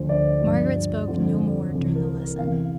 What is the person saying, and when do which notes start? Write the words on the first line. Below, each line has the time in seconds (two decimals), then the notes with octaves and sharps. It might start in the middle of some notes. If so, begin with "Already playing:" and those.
Margaret spoke no more during the lesson.
Already playing: D2 D3 F3 C5
0.09 D5
0.41 G2 F3
1.07 F2 D3 F3
1.73 C2 C3 E3
1.95 A#4
2.17 A#4
2.39 E2 C3 E3 F5